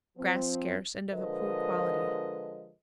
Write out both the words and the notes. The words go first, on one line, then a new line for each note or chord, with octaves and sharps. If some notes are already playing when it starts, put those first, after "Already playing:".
Grass scarce and of a poor quality.
F3 C4
D3 F3 G#3 A#4 B4 D#5